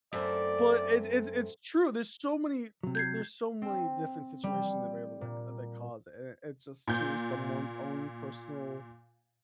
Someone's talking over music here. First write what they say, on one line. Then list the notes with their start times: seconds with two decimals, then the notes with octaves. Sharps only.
But it it it's true, there's so many there there's so many different situations and variables, like, that cause it, and it's just to someone's own personal
0.13 F#2 A3 C4 D5
2.83 C3 F#3
2.95 G6 G#6 C7
3.62 C4
4.44 G3
5.21 A#2
6.88 A#2 G6